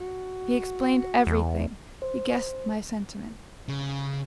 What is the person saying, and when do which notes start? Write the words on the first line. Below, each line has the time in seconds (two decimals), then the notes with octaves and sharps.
He explained everything; he guessed my sentiments.
0.01 F#4
1.27 E2
2.02 C5
3.68 C#3